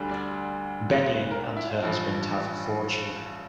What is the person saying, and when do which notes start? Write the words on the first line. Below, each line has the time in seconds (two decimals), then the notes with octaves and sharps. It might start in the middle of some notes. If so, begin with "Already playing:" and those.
Bennion and her husband have four children.
Already playing: D2 D3 G3
0.11 D5
1.31 A#4
1.43 D4
1.57 E4
1.69 F4
1.82 A1 G2 F3